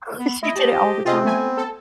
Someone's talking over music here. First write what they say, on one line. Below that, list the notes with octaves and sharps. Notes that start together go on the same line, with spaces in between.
Well, she did it all the time.
B3
A3 E4 D#5
G4 C5 A5
C3 C4 F4 G#4 D#5
A3 B3 G#5
A4